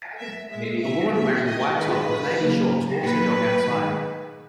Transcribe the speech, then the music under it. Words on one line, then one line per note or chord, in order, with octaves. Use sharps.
A woman wearing a white top with navy shorts walks her dog outside.
E5
A#2 G#3 E5
E5
D#3 A#3 E5
D#5
D#3 G#3 B4
C#3 F#3 A#3
A#2 F#3 A#3 B4
D#3 G#3